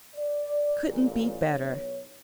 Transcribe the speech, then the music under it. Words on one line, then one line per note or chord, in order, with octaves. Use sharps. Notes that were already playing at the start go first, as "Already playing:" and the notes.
'Couldn't be better.'
D5
A1 A#2
B1 C#5